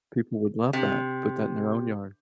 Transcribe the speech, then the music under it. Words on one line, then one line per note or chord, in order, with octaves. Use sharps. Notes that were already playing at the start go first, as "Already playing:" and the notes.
People would love that, put that in their own yard.
C3